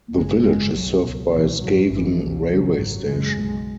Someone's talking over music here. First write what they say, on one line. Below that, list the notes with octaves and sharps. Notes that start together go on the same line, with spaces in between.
The village is served by Skewen railway station.
G#1 F#2 C#3 G#3
G#1 F#2 C#3 G#3
B1 B2 F#3
C#2 B2
C#2 B2 E3
G#1 F#2 C#3 F#3
G#1 G#2 E3
C#2 B2
G#1 F#2 C#3 F#3
G#1 G#2
F#1 E2 C#3 G#3
B1 B2